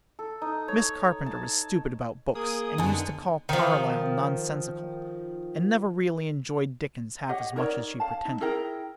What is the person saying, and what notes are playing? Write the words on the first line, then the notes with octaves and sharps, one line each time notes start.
Miss Carpenter was stupid about books, and used to call Carlyle nonsensical; and never really enjoyed Dickens half as much as she pretended.
A4
D#4
C#5
A5
A#3 G#4 D#6
F#2 D3 D#3 B3 G#5
D#3 F3
G4 C#5 D#5 F#5
D#4 A#4 C#5 D5
F5 A5
D#4
E4 G#4 A#4 G5